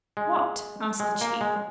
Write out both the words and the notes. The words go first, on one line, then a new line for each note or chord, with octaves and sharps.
"What?" asked the chief.
G#3
G#3
A#3
G#3